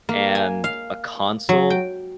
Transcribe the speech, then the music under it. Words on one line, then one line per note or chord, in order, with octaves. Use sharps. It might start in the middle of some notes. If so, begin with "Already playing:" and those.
and a console,
A#3
G#5
F5
F#3
G5